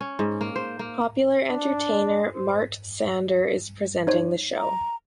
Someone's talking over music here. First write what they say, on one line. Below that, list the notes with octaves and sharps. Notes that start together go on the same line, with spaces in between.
Popular entertainer Mart Sander is presenting the show.
C#4
G#2
A#3
C5
A#3
D4
C5
D#4 C5 C#5
A#5